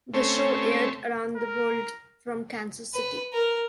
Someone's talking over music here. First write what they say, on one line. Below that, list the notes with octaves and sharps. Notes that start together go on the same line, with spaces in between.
The show aired around the world from Kansas City.
A3 C4 C#4
A#4
B4
A#4